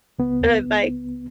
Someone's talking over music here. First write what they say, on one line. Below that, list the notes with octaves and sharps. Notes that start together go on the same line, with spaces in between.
Alright. Bye.
C#2 B3